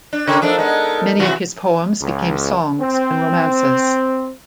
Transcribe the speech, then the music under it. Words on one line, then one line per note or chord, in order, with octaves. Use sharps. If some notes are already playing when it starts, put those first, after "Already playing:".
Many of his poems became songs and romances.
D4
C#3 G4 A#4 C#5
F3 A3 D4 D#4 A4 A#4
G#3 B3
C3 E3 F#4
C#2
C4